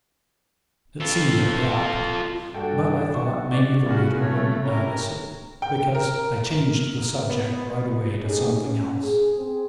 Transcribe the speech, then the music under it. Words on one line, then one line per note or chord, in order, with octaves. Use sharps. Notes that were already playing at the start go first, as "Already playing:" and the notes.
It seemed abrupt, but I thought maybe the reader wouldn't notice it, because I changed the subject right away to something else.
F4 A4
G2 D4 F#4 A4 G5
B1 F#4 C#6
C3 D5
G2 F#4 G#4 F6
A3 C#5
C#4 E4 G4 A#4
G5
A#4
B3
A3 C#4 D#4 G4 G#4
C#4
G#4
C4 G#4